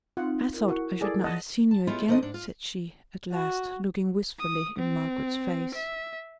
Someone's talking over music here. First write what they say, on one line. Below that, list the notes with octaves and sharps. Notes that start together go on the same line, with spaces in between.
'I thought I should na' ha' seen yo' again,' said she, at last, looking wistfully in Margaret's face.
C4 D#4 F4 F#5
E4 A#4
F#4
G#4 A4 D5
D#5 F#5 A5
A5
G#3 B3 C#4 E4 F4 G4
D#3 A3 C4 D4 D#5
G#2 D4
F4
F#4
D#6
C4
E5